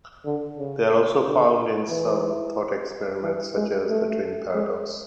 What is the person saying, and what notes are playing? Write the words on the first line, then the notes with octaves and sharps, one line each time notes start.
They are also found in some thought experiments such as the twin paradox.
D3
C#3
D3
E3
E3
G#3
A3
G#3